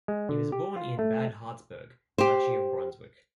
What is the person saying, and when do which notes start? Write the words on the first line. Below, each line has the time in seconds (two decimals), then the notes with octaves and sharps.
He was born in Bad Harzburg, Duchy of Brunswick.
0.08 G#3
0.29 D3
0.52 G4
0.76 F4
0.99 A3
2.18 G4 C5